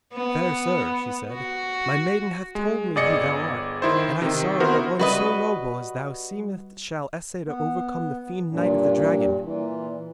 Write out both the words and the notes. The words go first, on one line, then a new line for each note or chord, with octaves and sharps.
'Fair sir,' she said, 'my maiden hath told me who thou art, and I sorrow that one so noble as thou seemest shall essay to overcome the fiend knight of the Dragon.
B3
F#4
G#3
G1 G#4 D5 D#5 C#7
D#3 E4 C5
C3 D#3
B3 E4 F#4 A#4 C5
G3 F#4 B4 D#5
B3
G2 A#2
A#2 E3